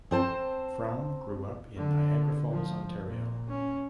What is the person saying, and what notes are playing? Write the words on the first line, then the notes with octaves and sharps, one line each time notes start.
Frum grew up in Niagara Falls, Ontario.
C4 C5 A5
D3
F3
A#2
C#4